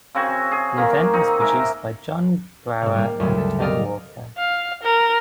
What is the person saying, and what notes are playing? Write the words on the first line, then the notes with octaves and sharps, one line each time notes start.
The event was produced by John Brower and Ken Walker.
C#3 C4 F#4 G#5
G#4
D#3 A#3
C4 D#4
G#3 A#4 E5
G#2 C3
G3 A#3
D2 G2 C#3 F#3
A4
G4 A#4 D5 D#5 F5
F5
A#4